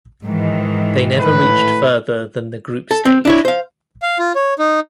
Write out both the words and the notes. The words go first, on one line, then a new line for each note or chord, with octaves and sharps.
They never reached further than the Group Stage.
G#2 D#3 E3
A2 B4
A4
C4
D4 E4 C#5
C5 F5
F5
F4
C#5
D#4